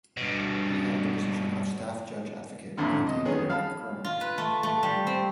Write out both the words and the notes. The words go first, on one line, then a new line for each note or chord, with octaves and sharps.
He held the position of Staff Judge Advocate and obtained the rank of Colonel.
G2 B2
A1 F2 A#2 D3
D#5
D#3 B3 C#4 G#4 B4
F5 A5 B5
F4
B4
A3
A3
G3
C4